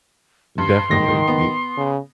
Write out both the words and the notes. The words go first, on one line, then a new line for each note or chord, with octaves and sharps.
definitely, the
G2 C6
G#2 D#3 A#6
B3
C#3